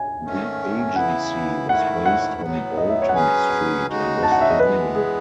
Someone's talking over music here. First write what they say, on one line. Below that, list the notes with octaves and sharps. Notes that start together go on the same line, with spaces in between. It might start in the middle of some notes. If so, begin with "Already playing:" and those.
The agency was based on "Bolton Street" in west London.
Already playing: G#5
G#2 D#3 A3 C#4
G#5
C#3 E3 B3 E4 F#5
G#2 D#3 A3 E4 F#5
F#5
A2 F#3 B3
D#5
E5
C#5
F#5
F#3 C#4 G#4 B4 G#5
G#5
C#3 G#3 D#4 F#4
A5
F#5
E5
D#5
E3 G#3 B3 B4
G#4